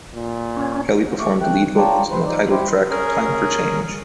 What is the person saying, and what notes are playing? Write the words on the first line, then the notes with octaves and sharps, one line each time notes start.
Kelly performed lead vocals on the titled-track "Time for Change".
A#2
C#4
A3 C#6 D6
A3 G5 F#6
F4 C#5 D5 G5 A5 A#5
B4 C5
F3 D#4 D5
E4 G4 C5
C#4 G#4 A#4